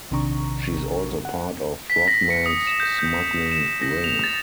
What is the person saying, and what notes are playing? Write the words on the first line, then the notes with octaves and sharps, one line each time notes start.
She is also part of Frogman's smuggling ring.
A#1 C3 D#3 D4 A#5 C#6
F#5
B6
A#6
C#7
D#6
E7
G6
G6
E7
A#6
F7
A6